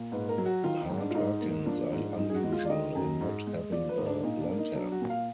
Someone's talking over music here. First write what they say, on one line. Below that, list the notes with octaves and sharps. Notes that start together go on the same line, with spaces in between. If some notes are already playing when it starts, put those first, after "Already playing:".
Heart urchins are unusual in not having a lantern.
Already playing: A#2
G#2 B4
A#4
F#3
F#4
D#3 F4
D#4
G#2
D4
F4
G#2 D#4
A#3
F3 D4
G#2
F#2 D#4
G#4
F#4
G#3
F4
D5
D#3 D#5
F#2
G#2
G#3
F3 D5
B4
G#2
D4
A#2 D#4
D4
A#3
D#4
F#3 D4
F#4
A#2
F5